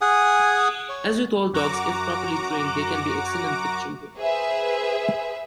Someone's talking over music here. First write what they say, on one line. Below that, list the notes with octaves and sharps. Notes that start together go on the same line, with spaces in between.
As with all dogs, if properly trained, they can be excellent with children.
G#4 F#5 G#5 D#6
C#5
F#2 F#4 A#5 D6
G#4 B4 C5 E5